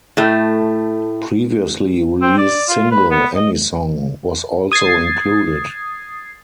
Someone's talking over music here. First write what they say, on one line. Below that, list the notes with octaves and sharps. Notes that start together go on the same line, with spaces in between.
Previously released single "Any Song" was also included.
A2 A3
C4
D5
F4
B4
B3
D#5
D#6 G#6 A6 C7